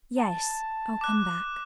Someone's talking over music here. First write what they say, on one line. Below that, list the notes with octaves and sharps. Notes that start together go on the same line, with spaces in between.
"Yes--I'll come back."
A5
D6 F#6